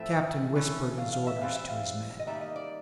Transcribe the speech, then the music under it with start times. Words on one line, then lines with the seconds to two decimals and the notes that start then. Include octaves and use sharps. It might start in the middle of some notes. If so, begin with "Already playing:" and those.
The captain whispered his orders to his men.
Already playing: A2 F3 A3 C4 E5
0.55 E3 A3 C#4
0.98 F5
1.13 F5
1.27 E5
1.41 E3 G3 C4 F5
1.54 E5
1.68 F5
2.19 D#5
2.27 D#3 G3 A#3 E5
2.41 D#5
2.56 D5